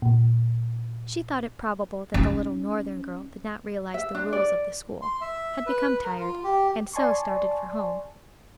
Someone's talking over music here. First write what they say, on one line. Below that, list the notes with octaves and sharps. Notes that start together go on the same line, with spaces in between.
She thought it probable that the little northern girl did not realize the rules of the school, had become tired, and so started for home.
A#2
C#4 D#4
E5
D4
D5
C6
E5
B4
A#4
F4
G4
D5 G#5 A5 C6 C#6